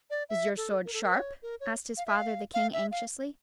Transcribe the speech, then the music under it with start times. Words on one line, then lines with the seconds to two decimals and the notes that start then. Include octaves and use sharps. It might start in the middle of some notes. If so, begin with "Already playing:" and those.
"Is your sword sharp?" asked his father, the King, anxiously.
0.10 D5
0.29 E5
0.57 A4
0.85 A#4
0.93 A4
1.01 A#4
1.13 C#5
1.42 A#4
1.60 C#5
1.97 F5
2.06 E5
2.15 F5
2.54 F5
2.73 E5
2.91 F5